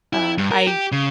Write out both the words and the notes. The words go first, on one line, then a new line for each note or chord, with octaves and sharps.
uh, I
E4
G2
A#4
G4
C#3